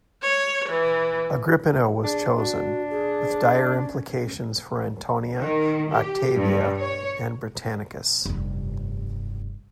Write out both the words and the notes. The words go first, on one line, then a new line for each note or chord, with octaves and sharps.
Agrippina was chosen, with dire implications for Antonia, Octavia, and Britannicus.
C#5
E3
D4 G#4
D4 F#4
G#4
C#4
D#3
G4
G2
C#5
F1 G2